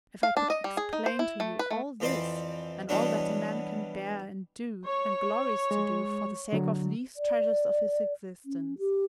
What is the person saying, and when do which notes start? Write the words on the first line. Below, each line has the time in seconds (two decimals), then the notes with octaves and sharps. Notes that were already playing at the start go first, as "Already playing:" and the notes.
If I could explain to you all this, and all that a man can bear and do, and glories to do, for the sake of these treasures of his existence!
0.23 F5
0.37 D4
0.50 D#5
0.64 G3
0.77 G#4
0.93 D#4
1.06 C5
1.19 E4
1.40 A3
1.59 B4
1.71 A3
2.00 F2 E3 C4 C5 D5 C6
2.89 B2 E3 F#3 G3 D4
4.85 C#5
5.71 G#3
6.53 D3 F#3
7.16 D5
8.45 C#4
8.79 G4